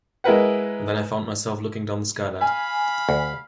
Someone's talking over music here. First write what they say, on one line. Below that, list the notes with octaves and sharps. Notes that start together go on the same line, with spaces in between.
And then I found myself looking down the skylight.
G#3 E4 A#4 B4 F#5
F5 G#5 B5
D2